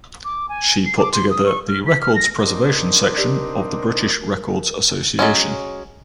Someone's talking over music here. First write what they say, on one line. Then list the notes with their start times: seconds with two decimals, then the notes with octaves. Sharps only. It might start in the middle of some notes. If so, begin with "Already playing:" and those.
She put together the Records Preservation Section of the British Records Association.
0.25 D6
0.49 G#5
0.86 C7
0.98 D6
1.13 C6
1.30 D#6
1.46 C#6
1.68 F6
1.86 B6
2.01 F6
2.15 A#6
2.42 C4 D4 D#4 A#4
3.17 G4 D5
5.19 F#3 G#3 C#4